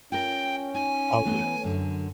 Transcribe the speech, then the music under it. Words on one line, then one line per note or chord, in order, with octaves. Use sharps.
Oh, yes.
C#4 F4 A#4 G5
D#4 G#5
E3 A3 B3
F#2 D3